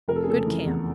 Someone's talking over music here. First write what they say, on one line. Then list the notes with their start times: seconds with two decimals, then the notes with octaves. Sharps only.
Good camp.
0.08 F1 A#4
0.16 A4
0.23 G#4
0.27 C#3 A4
0.46 E3
0.66 E2